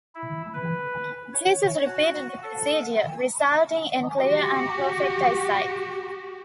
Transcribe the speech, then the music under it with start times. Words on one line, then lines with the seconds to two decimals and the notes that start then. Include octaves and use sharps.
Jesus repeated the procedure, resulting in clear and perfect eyesight.
0.15 E4
0.54 B4
1.33 C#5
1.85 F#4
2.43 A4
4.19 F#4 G4